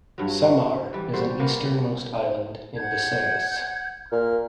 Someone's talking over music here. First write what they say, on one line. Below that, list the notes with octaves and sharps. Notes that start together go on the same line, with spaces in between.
Samar is an easternmost island in Visayas.
G2 F#3
F#4
E3 G3
G3 F#4 C5
B2 A#3 B3
G3
F#5 G6 G#6
A#2 F6